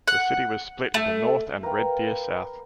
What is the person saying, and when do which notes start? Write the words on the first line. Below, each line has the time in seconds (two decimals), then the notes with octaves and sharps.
The city was split into North and Red Deer-South.
0.08 F#5
0.94 A3
1.63 A#4 B4 F5 G5